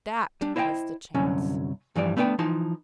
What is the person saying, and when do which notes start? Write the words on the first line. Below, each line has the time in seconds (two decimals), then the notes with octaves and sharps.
THAT was the chance!
0.41 G3 D4
0.56 E4 C5 D#5 E5 G5
1.15 C2 F#2 D3 F#3 C#4
1.96 G2 E3 F3 G3 D5
2.17 A3 B3 D4 B4 G5
2.39 E3 F3 D#4 A5 C6